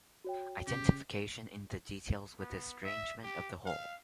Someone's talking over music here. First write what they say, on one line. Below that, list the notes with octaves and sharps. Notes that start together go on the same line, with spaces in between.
Identification in the details with estrangement of the whole.
F#4 C#5 G5
C#3 G4
B3
E5
G4
F5